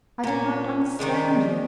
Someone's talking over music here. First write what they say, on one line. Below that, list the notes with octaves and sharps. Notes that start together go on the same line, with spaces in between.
I did not understand you.
A#2 C#4
D#3 E3 G3 G#3